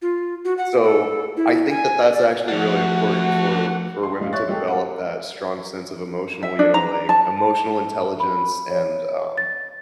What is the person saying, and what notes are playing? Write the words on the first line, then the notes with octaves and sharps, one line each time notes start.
So, I think that that's actually really important for for women to develop that strong sense of emotional you know, like emotional intelligence, and, um
F4
F#4
F#5
A4
E4
G#5
D5
F3 A3 D4 F#4 E5 F#5
C6
A2 G#3 F5
C#5 E5 C#6 F#6 A6
G#3 G4 A4
F5 F#5
E5
D4
A#5
A5
A5
B5
C#5
A6